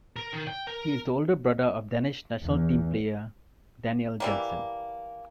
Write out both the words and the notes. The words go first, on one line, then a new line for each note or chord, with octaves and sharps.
He is the older brother of Danish national team player Daniel Jensen.
A#4
D#3
G5
A#4
E2
E3 G3 A#3